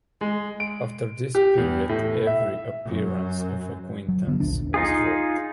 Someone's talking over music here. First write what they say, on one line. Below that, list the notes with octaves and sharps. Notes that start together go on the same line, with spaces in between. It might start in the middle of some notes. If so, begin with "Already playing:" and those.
After this period every appearance of acquaintance was dropped.
G#3
D7
G4
E2
A2
E5
F#2
F#3
D3 B3
A#1 D#2 D4
D#4 F4 G#4